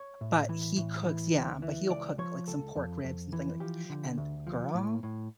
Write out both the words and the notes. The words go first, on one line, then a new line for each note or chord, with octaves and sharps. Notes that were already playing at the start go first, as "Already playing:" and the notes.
but he cooks Yeah, but he'll cook, like, some pork ribs, and things, like, and girl
Already playing: C#5
A2
E3
A2
E3
D2
E3
C#2 D5
F3 C#5
C#2 A4
F2
F2
E3
F3 G4
D3
D2
F3
A2
A2